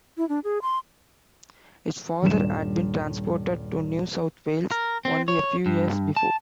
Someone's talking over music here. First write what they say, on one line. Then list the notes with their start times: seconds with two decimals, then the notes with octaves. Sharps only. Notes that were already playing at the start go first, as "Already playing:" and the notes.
His father had been transported to New South Wales only a few years before.
0.17 E4
0.29 D4
0.44 G#4
0.62 C6
2.22 D#1 G2 E7
4.71 A#4
5.05 C4
5.28 C#5
5.66 G2
6.17 A5